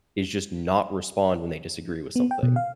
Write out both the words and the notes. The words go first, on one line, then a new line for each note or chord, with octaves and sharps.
is just not respond when they disagree with something.
B3
G5
B2
F5